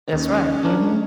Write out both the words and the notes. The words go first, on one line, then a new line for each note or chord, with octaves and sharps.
That's right. Mhm.
D#2 C#4
D4 A#4